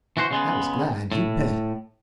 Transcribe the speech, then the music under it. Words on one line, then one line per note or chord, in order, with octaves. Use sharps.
I was glad, you bet.
E3 F#4 C5
C#3 G#3 B3
A2